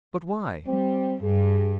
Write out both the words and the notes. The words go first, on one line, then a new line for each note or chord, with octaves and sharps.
"But why?"
G3 C4
G2 G#4